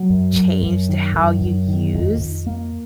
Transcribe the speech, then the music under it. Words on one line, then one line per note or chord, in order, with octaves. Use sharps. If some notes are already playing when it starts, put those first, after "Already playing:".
changed how you use,
Already playing: F#3
F#2
F#2
F#2
D#3
F#2
F#2
D#3
F2
F2
A#3